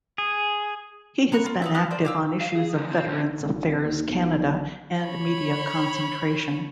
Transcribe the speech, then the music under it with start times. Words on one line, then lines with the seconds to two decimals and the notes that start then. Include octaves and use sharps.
He has been active on issues of Veterans Affairs Canada and media concentration.
0.18 G#4
1.32 A#5 B5 C#6 F#6
1.46 F4
1.62 D#4 B4 E5
1.75 B3 G4 F5 F#6
1.91 A#4 C5 D5
2.05 G4 F5 E6
2.41 F5
2.55 G#4
2.74 F3 G#3
2.91 C4
3.06 G2 C#4
3.42 G#1
3.84 D#2
4.08 B1
5.01 C#5 B5